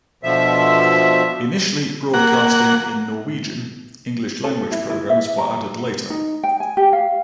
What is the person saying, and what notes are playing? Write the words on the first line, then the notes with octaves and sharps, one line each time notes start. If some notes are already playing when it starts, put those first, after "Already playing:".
Initially broadcasting in Norwegian, English-language programs were added later.
B2 D3 F3 E5
A#3 F#5
A4
E4
E4
E5
A#5
D#4
G5
G#5
G4
F5